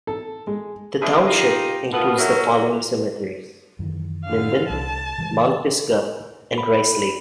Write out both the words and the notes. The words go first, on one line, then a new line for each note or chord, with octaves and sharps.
The township includes the following cemeteries: Linden, Mount Pisgah and Rice Lake.
A4
G#3
D#2 C3 D#3 E3 D4 G#4
D#4 F4 G4
B2 D#3 A3 B3 F4
F#3 A#3 C#4 E4 F#4
F#2 D#3 E3
D3 F5
C2 A5
C#3 E3 G#3
B5